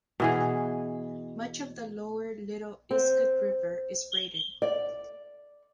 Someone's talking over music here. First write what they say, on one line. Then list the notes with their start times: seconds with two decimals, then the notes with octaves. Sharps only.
Much of the lower Little Iskut River is braided.
0.20 B2 E3 G#4
2.91 C4
4.62 D5